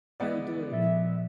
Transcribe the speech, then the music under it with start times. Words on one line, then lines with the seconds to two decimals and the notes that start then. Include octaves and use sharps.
I'll do it.
0.20 G#3 B3 D5
0.72 A#2 F3 E5